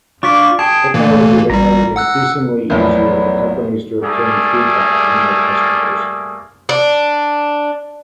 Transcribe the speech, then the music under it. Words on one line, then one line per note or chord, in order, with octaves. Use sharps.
Technology has made it increasingly easier for companies to obtain feedback from their customers.
D4 F4 D5 C#6 B6
G#4 G5 A5
A#2 E3 A3 A#3
A1 G3 A#5
F#5 E6 F#6
A#1 E2 A2 F#3 B3 B4 D5 B5
G3 A3 A#3 G#4
D4